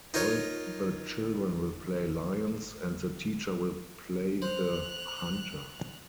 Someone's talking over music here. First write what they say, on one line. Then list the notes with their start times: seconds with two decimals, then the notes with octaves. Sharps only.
All the children will play "lions" and the teacher will play the "hunter".
0.14 D#4 F4 A#4 C#5
4.42 C5 F#6 F7